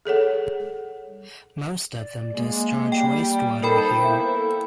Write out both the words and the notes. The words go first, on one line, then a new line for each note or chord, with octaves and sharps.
Most of them discharge wastewater here.
G#4 A4 C#5 F#5
D5
G#3 A#3
G3 G5
D#4 A4 A#4 C5 G5 B5
A#3 B3 E4 C5
A4